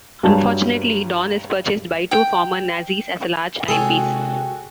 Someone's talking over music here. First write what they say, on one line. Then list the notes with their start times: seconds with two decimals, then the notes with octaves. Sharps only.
Unfortunately, Don is purchased by two former Nazis as a large timepiece.
0.23 G2 F#3 A5
2.11 G5
3.68 C3 G#3 F#4 G#4 A4 C#5 G5